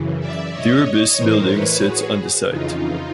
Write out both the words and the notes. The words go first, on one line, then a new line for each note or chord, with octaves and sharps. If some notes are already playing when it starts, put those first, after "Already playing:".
The Urbis building sits on the site.
Already playing: F#2 C#3 E3
D5 E5
C#5 D#5
A2 E3 A#4 C5
B4 C#5
F#4 G#4
F2 C#3 E3 D#4 F4